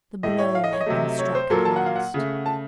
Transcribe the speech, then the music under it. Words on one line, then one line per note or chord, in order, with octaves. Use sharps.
The blow had been struck at last.
A2 A3 D#5
C#5
F5
D#5
C#5
D#5
C3 F#3 A3
C#5
C5
A#2 F#3 A#3 A4
A5
F#5
F5
F#5
C#3 A3
A5